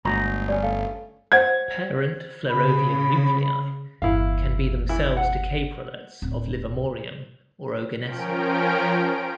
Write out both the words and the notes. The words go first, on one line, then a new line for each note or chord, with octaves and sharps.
Parent flerovium nuclei can be themselves decay products of livermorium or oganesson.
G1 F#3 G#3 A3 D4 A#5
G2 C#4 D5
A3 F5
C5 C#5 F#5 G#6
C#3 B5
G1 E2 E4 F5
E3 E4
F#5
D1
F3 C#4 A#4 G5 D7